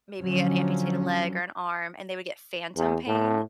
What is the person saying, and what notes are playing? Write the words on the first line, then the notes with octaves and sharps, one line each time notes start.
maybe an amputated leg or an arm, and they would get phantom pain,
D3 F3 F#3 C#4
E2
A2